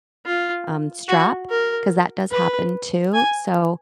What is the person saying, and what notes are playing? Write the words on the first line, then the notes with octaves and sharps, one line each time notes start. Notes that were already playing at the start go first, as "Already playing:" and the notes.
um, strap, 'cause that does happen too, so,
F4
F#4
A#4
B4
G#5